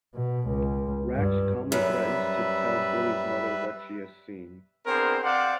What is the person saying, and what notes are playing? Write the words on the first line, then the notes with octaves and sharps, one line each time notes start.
Ratched calmly threatens to tell Billy's mother what she has seen.
B2
C#2
G2
F#2 G3 B4 E5
B3 C4 D4 G#4 A#4 C5
C4 C5 D5 F5 F#5